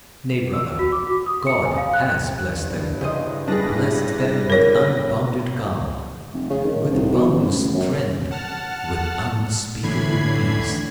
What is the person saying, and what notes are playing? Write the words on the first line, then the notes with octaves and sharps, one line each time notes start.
Nay, brother, God has blessed them; blessed them with unbounded calm, with boundless strength, with unspeakable peace.
E6
F#4
D6
F#4
D#6
C#7
G#5
F5
F#6
G2 E4
C#3 C5 D#5
G3 D4 G#4 B4 A#6
G1 A2 A#4 C#5
F1
C#3
D#3
C2
B2
A1
F#2
F#5 A5 F6
A2 D3 E3 B5 G#6 C7